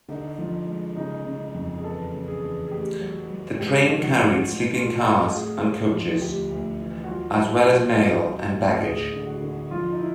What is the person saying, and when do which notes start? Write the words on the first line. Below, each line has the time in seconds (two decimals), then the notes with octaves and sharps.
The train carried sleeping cars and coaches, as well as mail and baggage.
0.09 D3 D#4
0.38 F3
0.67 G#3
0.96 C#3 D#4
1.25 C#3
1.40 D#4
1.54 F2
1.78 G#4
1.84 E2 A4
2.13 C#3
2.28 G#4
2.42 E2
2.68 G#4
2.71 A3 G4
3.00 F#3
3.30 F#3
3.59 G#2 G4
3.88 F3
4.02 F#4
4.17 G#2
4.46 A2 F4
4.75 A3 F4
5.04 A2 F#4
5.33 A3 G#4
5.63 A3
5.92 F3
6.20 D2 G4
6.51 D2
6.79 E3
7.04 F#4
7.08 F#3 F4
7.38 F#3
7.51 F4
7.67 F#3
7.96 F#3 D#4
8.25 F#3
8.54 A2
8.83 D2 G#4
9.13 D3
9.26 F#4
9.41 D3
9.71 F3 F4
9.91 D#4
10.00 E4